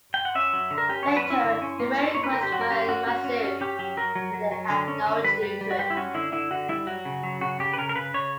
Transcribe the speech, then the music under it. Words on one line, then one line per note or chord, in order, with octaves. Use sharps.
Later he married Cruz Maria Massu, but they had no children.
G5
F#5
C#4 E5
F#3
D3
A#4
C#4 G4
F#3 C#5
B4
C#4
E4
D3
C#4
A#3
C#4
A#3 C#5
B4
D3 A#4
G4
F#3 F#4
A#4
C#4 G4
C#4 F#4
C#4 F#4
C#4
C#4
C#4 G4
F#3 G4
F#3 A#4
F#3
F#3
F#3
D3
C#4
D3
G3 B4
G3
G3
F#4
G3 G4
E4
C#4 F#4
D3 E4
D3 E4
D3 F#4
G3 E4
F#3 F#4
C#3
F#3
C#3 F#4
C#3 G4
B4
C#3 A#4
A#4
C#3 B4
C#3 C#5